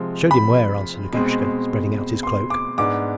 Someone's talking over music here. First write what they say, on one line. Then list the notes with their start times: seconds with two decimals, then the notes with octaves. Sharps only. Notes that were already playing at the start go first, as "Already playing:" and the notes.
'Showed him where,' answered Lukashka, spreading out his cloak.
Already playing: C3 F3 G#3 C4
0.31 B5
1.13 B2 G#3 C4
2.23 C6
2.50 D6
2.78 G#2 G#3 B3 D4 D6